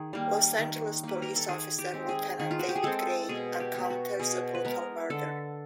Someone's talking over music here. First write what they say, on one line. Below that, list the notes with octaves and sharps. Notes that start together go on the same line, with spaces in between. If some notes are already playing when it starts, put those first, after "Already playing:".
Los Angeles police officer Lieutenant David Grey encounters a brutal murder.
Already playing: D#3 G#4
G3 A#3
D#3
G3 A#3 B4
A#4
A4
D#3 G#4
G4
G#3 C4
G#4
D#3 G#4
F4
F#4
G4
G#4
G#3 C4 A4
B2 G#4
G4
G#3 B3
F#4
B2 G#4
B4
G#3 B3 A#4
D3 A4